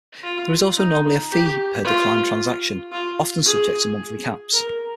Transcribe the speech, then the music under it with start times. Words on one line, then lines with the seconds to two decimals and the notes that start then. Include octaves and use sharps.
There is also normally a fee per declined transaction, often subject to monthly caps.
0.24 F4
0.77 D#4
1.31 G4
1.85 F4
2.92 F4
3.45 G#4
4.53 A#4